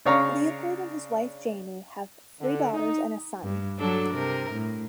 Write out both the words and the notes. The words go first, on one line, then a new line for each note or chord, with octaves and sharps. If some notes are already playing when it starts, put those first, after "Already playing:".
Leopold and his wife Jamie have three daughters and a son.
C#3 D4 C#5 F5 A#5
D3
D#4
G2
F#3 D4 A4
C3 A#4
A2